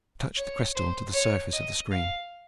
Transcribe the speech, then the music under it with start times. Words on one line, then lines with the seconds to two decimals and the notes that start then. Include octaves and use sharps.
She touched the crystal to the surface of the screen.
0.37 C#5
0.76 C5
1.14 C#5
1.53 D#5
1.91 F5